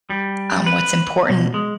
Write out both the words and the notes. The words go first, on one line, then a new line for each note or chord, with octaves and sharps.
um, what's important
G3
B4
B2
G#3